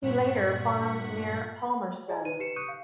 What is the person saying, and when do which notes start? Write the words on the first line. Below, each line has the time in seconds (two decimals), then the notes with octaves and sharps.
He later farmed near Palmerston.
0.02 G2 A#2 F#5 C#6 B6
2.09 G#4 D5 D#5 G#5 A#5
2.25 D#4 B4 C5 D#7
2.40 G4 B4 C7 C#7 E7
2.56 C#6 D#6 F#6 G6 C#7 D#7
2.68 F5